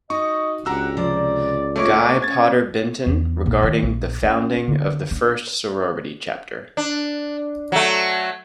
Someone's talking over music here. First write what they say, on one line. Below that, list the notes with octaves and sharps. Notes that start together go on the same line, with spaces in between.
Guy Potter Benton regarding the founding of the first sorority chapter.
D#4 F#4 D#5 C#6
C#2 D4 F#4 G4 F#5 A#5 E6
C3 F3 C5 D5
A3 F4 B4 C#5 D#5 G#5 C#6 D6
C#4 C#5 G#6 A6
E2
A#1
D#3
A#1
C#4
D3
D4
D4
F#3 A3